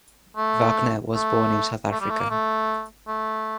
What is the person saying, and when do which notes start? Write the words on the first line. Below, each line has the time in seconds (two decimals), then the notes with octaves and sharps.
Wagner was born in South Africa.
0.37 A3
1.14 A3
1.92 A3
2.01 G3
2.10 A3
2.20 A#3
2.30 A3
3.08 A3